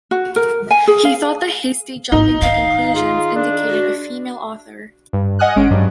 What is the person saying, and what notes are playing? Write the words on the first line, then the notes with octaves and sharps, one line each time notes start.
He thought the "hasty jumping to conclusions" indicated a female author.
F#4
A#4
G#5
G#4
F5
G#1 D#4
D#3 F5
F4 G#4
D4
F#4
G2
D#5 F#5 G#5 D#6 F6 F#6
G#1 G#3 C#4 D7
G2 F#3 G3